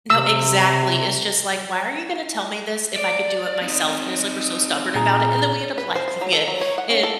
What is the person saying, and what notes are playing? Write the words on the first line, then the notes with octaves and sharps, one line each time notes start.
No, exactly. It's just like, "Why are you gonna tell me this if I could do it myself?" And it's like we're so stubborn about it and, then we end up liking it, and
C3 E6
D5
C4 D#4
A#2 G#4 A#5
B4
C5
C5
F#3
A4
F#3
C#5
F#5
C#4
A4